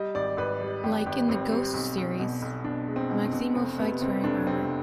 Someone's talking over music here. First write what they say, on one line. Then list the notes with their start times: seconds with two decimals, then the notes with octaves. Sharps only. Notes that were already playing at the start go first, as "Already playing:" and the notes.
Like in the "Ghosts" series, Maximo fights wearing armor.
Already playing: G3 D#5
0.15 G#1 D5
0.37 G#1 B4
0.61 G3
0.84 G#1 G4
1.06 G#1 G4
1.29 G#1 C4
1.52 G3 C4
1.74 B1
1.97 B1
2.20 B2
2.42 B1
2.64 B2 D4
2.88 G#3
2.96 C4
3.10 B2
3.25 C4
3.33 B2
3.55 F1 C4
3.78 C3 B3
4.01 C3 C4
4.24 F1 D4
4.47 C3 C4